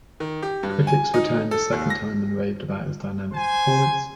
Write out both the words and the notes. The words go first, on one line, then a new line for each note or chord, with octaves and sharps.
Critics returned a second time and raved about his dynamic performance.
D#3
G4
G2
G#5
D#4
A4
D#2
A#6
C5 G#5